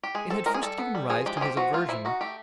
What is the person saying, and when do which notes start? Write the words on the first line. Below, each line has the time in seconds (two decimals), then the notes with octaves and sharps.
It had first given rise to his aversion.
0.03 G4
0.15 G#3 G#4
0.30 C4 A4
0.46 G#3 A#4
0.54 G#4
0.62 G3 A4
0.78 B3
0.95 G3
1.09 F3 G#4
1.26 G#3 G4
1.37 G#4
1.41 F3 G4
1.57 F3 F#4
1.73 A3 F4
1.89 F3 E4
2.05 D#4 F#4
2.21 A3 G4